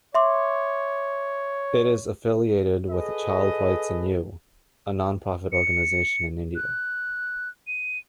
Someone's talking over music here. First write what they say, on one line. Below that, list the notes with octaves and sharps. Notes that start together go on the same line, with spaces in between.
It is affiliated with Child Rights and You, a non-profit organization in India.
C#5 E5 C6 D6
G#4 A4 B4 D#5
C#7
F#6
D#7